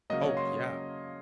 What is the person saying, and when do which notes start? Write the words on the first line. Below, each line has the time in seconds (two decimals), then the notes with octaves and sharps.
Oh, yeah.
0.10 C#3 F#3 A#3 D#5
0.23 C#5
0.37 C6